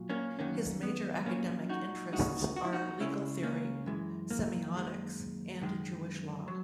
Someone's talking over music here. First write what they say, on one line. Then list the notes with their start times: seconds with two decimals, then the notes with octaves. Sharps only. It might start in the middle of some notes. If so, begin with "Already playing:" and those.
His major academic interests are legal theory, semiotics, and Jewish law.
Already playing: A#2 F#3
0.10 A#3 C#4
0.39 F#2 D#3 F#3 A#3 C#4
0.83 B3
1.25 A#2 F#3 A#3 C#4
1.69 D#4 F#4
2.12 A#2 G#3 D#4 F#4
2.56 F#4
2.65 E4
2.73 D#4 F#4
3.00 C#2 C#3 G#3 C#4 E4
3.43 A#3 C#4
3.86 F#2 E3 G#3
4.30 A#3
4.74 F#2 D#3 G#3
5.61 F#2 D#3 G#3
6.48 F#3